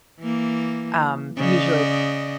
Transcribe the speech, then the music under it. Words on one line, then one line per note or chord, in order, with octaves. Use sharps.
um, usually
E3 A#3
C#3 D5 D#5